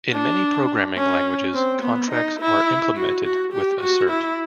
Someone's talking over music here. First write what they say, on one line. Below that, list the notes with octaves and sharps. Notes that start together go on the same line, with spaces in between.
In many programming languages, contracts are implemented with assert.
D4
C#4
C4
B3
D#4
E4
F#4
F#4
G4
F#4
E4